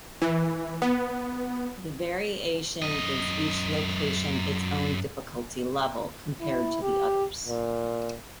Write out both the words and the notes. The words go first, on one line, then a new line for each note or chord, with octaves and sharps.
The variation gives each location its own difficulty level compared to the others.
E3
B3
F#2 D#5
E4
G4
A#2